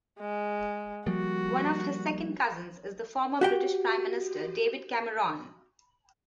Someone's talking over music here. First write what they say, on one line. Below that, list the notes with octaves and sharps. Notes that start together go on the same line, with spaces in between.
One of his second cousins is the former British Prime Minister, David Cameron.
G#3
F3 G3 A#3 F#4
F#4 G4 G5